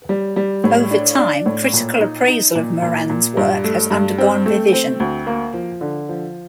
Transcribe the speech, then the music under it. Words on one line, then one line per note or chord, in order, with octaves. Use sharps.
Over time, critical appraisal of Morand's work has undergone revision.
G3
G3
A2
D4
D4
A2
A#2
D#4
D#4
A#2
A#2
A#2
G2
A3
G2
C4
A3
C4
D2
A#3
F3
D3
F3